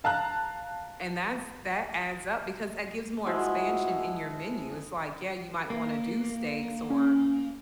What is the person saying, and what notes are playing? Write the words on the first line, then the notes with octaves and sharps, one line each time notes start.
and that's that adds up because it gives more expansion in your menu, it's, like, yeah, you might wanna do steaks, or
F5 A5 A#5 F#6
F3 G#3 E4 F#4
A#3
C#4